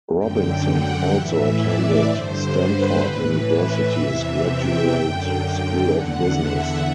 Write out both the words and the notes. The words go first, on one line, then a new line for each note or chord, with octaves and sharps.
Robinson also attended Stanford University's Graduate School of Business.
F#2 D3 G5
F#5
A2 E3 E5
D5
G2 D3 C5
B4
A2 E3 B4
E5
E2 C3 E3 E5
G5
F#2 D3
G5
E2 D3 F#5
E5